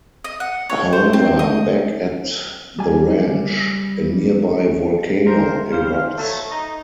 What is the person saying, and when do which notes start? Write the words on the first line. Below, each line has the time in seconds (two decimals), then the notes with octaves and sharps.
However, back at the ranch, a nearby volcano erupts.
0.24 D#5
0.40 F#5
0.70 C#5
0.93 C5
1.13 C4
1.39 D#5
2.79 G3 G#5
5.26 F3 A#4 C5
5.72 G3 C5 F5
6.17 F3 F#3 A3
6.50 D#4